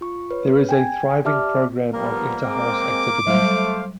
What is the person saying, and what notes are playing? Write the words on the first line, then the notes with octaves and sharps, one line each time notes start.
There is a thriving programme of inter-House activities.
F4 C#6
B4 C#5
G5 G#5 G#6
G4 D5 E5 A5 D6 F6
F3 G3 A#3 B3 A#4
G#3 C4 D6
F#3 G3 A3 C5 F5